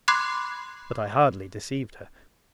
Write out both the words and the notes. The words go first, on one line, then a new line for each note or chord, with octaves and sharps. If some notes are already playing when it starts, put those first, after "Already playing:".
But I hardly deceived her.
B5 C6 D6 F#6 G#6 C7